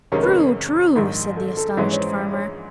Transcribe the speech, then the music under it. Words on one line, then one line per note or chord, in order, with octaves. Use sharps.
"True, true!" said the astonished farmer.
F2 C3 D#3 G#3 C#4 A#4
B4
A#4
A#1 G#2 D#3
A4
A4
A#1 G#2 E3 G#3 C#4 B4
C#5
C5
D5
C#5